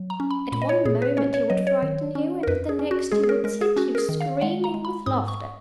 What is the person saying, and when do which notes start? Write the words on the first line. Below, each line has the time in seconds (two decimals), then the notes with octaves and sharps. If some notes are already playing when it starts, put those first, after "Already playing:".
At one moment he would frighten you, and at the next he would set you screaming with laughter.
Already playing: F#3
0.10 A#5
0.20 C#4
0.31 B5
0.52 A#2 B5
0.62 D#5
0.69 C#5
0.85 A#2 G#4
1.02 B4
1.17 C#4 C#5
1.34 C#5
1.50 F#3 D#5
1.67 C#5
1.83 D#3
2.15 C#4
2.43 A#4
2.47 F2 B4
2.69 G#4
2.79 C#4
2.91 F#4
3.11 G#3 G#4
3.23 G#4
3.29 A#4
3.44 G#3 A#4
3.61 G#4
3.76 C#4 F#4
3.95 A#4
3.98 G#4
4.09 D#3
4.21 F5
4.41 G#3 F#5
4.64 A#5
4.74 G#3
4.85 B5
5.06 G#2 D#6
5.28 C#6